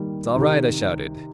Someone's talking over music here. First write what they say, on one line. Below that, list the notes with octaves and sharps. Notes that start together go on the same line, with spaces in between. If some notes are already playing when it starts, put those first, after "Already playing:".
"It's all right," I shouted.
Already playing: D#3 G3 A#3
C3 D#3